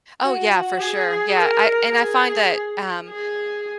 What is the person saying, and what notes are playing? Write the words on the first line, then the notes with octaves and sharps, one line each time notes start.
Oh, yeah, for sure, yeah, I and I find that, um,
F#4
F#4
G#4
A#4
G#4
G#4